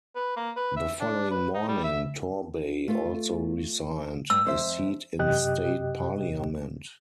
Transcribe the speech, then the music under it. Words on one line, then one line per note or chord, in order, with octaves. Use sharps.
The following morning Torbay also resigned his seat in State Parliament.
B4
A#3
B4
E5
D4
B4
D#4
G3
E5
A3 F4
G2 E6
F2 C5 E5
F#2 C3 G4 D#5 G5 F#6